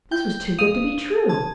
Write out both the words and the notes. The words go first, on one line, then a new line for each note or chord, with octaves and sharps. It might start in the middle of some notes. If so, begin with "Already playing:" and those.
This was too good to be true.
G5 G6
F5 D#6
A5 G#6